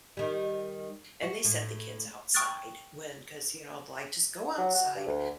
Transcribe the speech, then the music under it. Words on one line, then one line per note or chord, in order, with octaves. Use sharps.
and they sent the kids outside when 'cause, you know, like "Just go outside,
D#3 G3
F#4
A2
G5 C#6 D#6 F6 F#6 A6
F#3
F#4
G2
D2